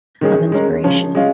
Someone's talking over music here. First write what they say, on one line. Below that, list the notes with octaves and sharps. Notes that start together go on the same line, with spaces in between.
of inspiration.
D#3 G#3 C#4 G#4
G#3 C#4 A#4
C#3 F3 C#4
G#3 C#4 F4